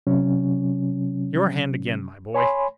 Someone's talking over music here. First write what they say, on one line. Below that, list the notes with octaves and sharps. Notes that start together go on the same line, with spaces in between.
Your hand, again my boy!
C3 F#3 C#4
C#5 G#5 B5 C6